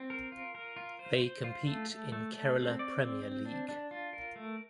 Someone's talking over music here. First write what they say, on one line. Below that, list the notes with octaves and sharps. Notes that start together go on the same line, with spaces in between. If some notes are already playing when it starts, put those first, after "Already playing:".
They compete in Kerala Premier League.
Already playing: C4
A#4
F4
A#4
F4
C5
C5
F4
A3
A3
A3
A3
C4
D5
C4
C4
D4
D4
F4
A#4
A3